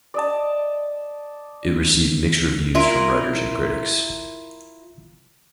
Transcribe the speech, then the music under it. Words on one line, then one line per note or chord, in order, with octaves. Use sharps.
It received mixed reviews from writers and critics.
D5 D#5 A5
E4 F4 A#4